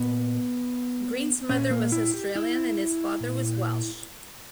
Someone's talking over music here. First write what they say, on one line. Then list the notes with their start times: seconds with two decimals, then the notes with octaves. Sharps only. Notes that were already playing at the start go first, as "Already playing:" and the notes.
Green's mother was Australian and his father was Welsh.
Already playing: A#2 B3
1.49 A#2 C#4
1.71 A#3
1.92 E4
2.14 G4
2.36 E4
3.20 A#2